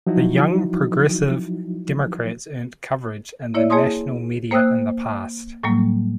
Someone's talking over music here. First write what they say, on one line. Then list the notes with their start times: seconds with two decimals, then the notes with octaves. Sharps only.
The Young Progressive Democrats earned coverage in the national media in the past.
0.07 F3 F#3 D#4 E4 F#4
3.54 A#3 E4 C#5 D5 E5
3.70 G#4 C#5 G#5 A5 C6 D#6
4.51 A#3 C5 G5 D#6 E6 F#6
5.63 A2 F#3 G3 A#3